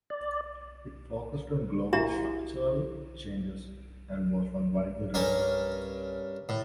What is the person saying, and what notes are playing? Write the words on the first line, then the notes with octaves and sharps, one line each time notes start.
It focused on global structural changes and was not widely read.
D5
D4 E4 F#4 G4 E5 A#5
G2 C#4 A#4 G#5
A2